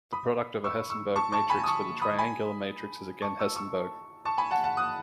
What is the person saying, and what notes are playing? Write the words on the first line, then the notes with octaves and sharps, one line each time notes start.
The product of a Hessenberg matrix with a triangular matrix is again Hessenberg.
B5 D#6
C#6 E6
C#6 E6
A5 C#6
A5 C#6
G#5 B5
D#6
A5 C#6
B5 D#6
G#5 B5
A5 C#6
C#6 E6
C#6 E6
A5 C#6
G#5 B5
F#5 A5
F#5 A5
D#6 F#6